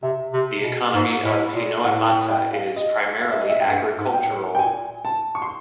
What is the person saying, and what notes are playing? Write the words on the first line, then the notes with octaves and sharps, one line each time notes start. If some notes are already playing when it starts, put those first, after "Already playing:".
The economy of Hinoemata is primarily agricultural.
C3 E5
C3
B2
G#2
A2
A#2
A2 F#5
G5
G5
F5
D#5
F5
E5
D#5
E5
G5
G2 F#5
G#2
G5
A2
G5
A#2 G#5
A5
C#6
C6